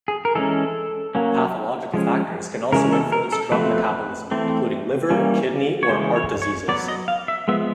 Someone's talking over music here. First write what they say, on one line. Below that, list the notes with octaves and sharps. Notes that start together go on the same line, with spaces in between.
"Pathological factors" can also influence drug metabolism, including liver, kidney, or heart diseases.
G#4
A#4
E3 G#3 C#4 A4
F#3 A#3 C#4
F3 G#3 C#4
C#3 E3 G#3 C#4 A#4
A4
A#4
A4
F3 A3 C4 B4
E3 A3 C4
E3 G3 A#3 C#4
C#5
C#3 E3 G#3 C#4 C5
C#5
C#5
F#3 B3 D5
D#5
F5
E5
F3 G#3 B3 E5